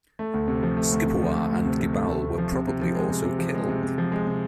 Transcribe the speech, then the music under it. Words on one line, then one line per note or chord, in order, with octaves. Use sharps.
Scipuar and Gibal were probably also killed.
A3
D2
C3
F3
A3
D2
C3
F3
A3
D2
C3
F3
A3
D2
C3
F3
C3
C3
F3
G#3
C3
C3
F3
G#3
C3
C3
F3
G#3
C3